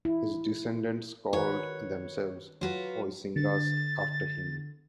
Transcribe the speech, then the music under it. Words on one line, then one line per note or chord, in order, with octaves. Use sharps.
His descendants called themselves "Oiscingas" after him.
E4
D#3 F#4 B4 C#5
F#3 F4 F#4 B4
D3 A6